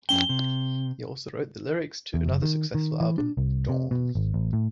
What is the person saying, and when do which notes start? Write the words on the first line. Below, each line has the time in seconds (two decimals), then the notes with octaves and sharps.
He also wrote the lyrics to another successful album "Dawn".
0.09 F2 C#4 G5 G7
0.29 C3
2.14 E2
2.27 F#1
2.42 D#3
2.75 D#3
3.01 E3
3.18 D4
3.37 C2
3.69 C3
3.91 B2
4.15 G#1
4.34 A1
4.53 A2